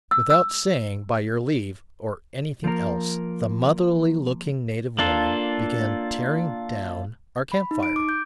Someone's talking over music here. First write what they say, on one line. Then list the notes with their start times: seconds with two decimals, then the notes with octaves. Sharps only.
Without saying by your leave or anything else, the motherly looking native woman began tearing down our camp fire.
0.11 E6
0.30 E6
2.64 F3 A#3 A#4
4.99 A#3 D4 F4 A4
7.52 B5
7.71 D#4
7.83 D7
7.96 D6
8.09 G6